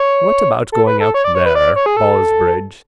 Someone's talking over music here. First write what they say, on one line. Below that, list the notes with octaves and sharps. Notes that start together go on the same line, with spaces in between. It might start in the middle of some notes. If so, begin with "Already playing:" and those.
What about going out there: Ballsbridge.
Already playing: C#5
A4
B4
A4
C#5
D5
C#5
B4
D5
C#5
G#4
A4